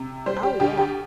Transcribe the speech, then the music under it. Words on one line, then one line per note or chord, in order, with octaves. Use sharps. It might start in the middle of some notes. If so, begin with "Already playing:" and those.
Oh, yeah.
Already playing: C3
G3 C5
G4
D2 G4
G4